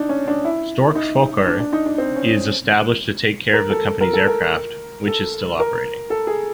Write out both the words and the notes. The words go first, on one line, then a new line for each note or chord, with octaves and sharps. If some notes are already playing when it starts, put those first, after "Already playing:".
Stork Fokker is established to take care of the company's aircraft, which is still operating.
Already playing: D4 D#4
C#4
D4
E4
D#4
D4
D4
D#4
D4
C4
C#4
A#4
A4
A#4
A4
A#4
A4
A#4
A4
G#4